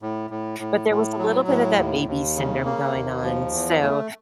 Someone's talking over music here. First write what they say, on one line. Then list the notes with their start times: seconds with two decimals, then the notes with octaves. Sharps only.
but there was a little bit of that baby syndrome going on. So,
0.02 A2
0.30 A2
0.60 A2
0.89 A2
1.19 F#3
1.47 A2
1.77 D#2
2.07 D#2
2.36 C#3
2.65 A#3
2.94 D#2
3.23 F3
3.53 E2
3.82 A3